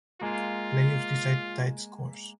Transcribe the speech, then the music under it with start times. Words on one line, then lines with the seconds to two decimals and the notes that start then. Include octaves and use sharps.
Playoffs decide tied scores.
0.21 G#3 A#3 F4